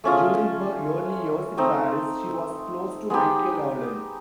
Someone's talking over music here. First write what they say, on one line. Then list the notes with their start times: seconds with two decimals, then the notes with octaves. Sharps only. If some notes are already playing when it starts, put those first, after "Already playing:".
During her early years in Paris, she was close to Michael Arlen.
0.04 A3 C#4 F4 G#4
1.57 A3 C4 D#4
3.10 G#3 B3 D#4 G4